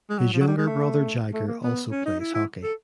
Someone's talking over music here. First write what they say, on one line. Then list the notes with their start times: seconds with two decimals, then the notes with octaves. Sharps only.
His younger brother Jagger also plays hockey.
0.10 G#3
0.18 F#3
0.33 F3
0.40 F#3
0.47 G3
0.57 G#3
0.67 A3
1.33 A3
1.47 A#3
1.63 B3
1.91 C#4
2.06 D#4
2.19 E4
2.34 E4
2.63 A4